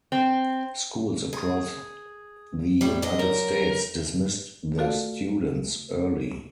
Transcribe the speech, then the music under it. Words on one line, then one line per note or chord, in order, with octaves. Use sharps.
Schools across the United States dismissed their students early.
C4
G#4
A2 G3
D4 D#5
F#2 A#4
A3 F4 F#4 A4 D5 F5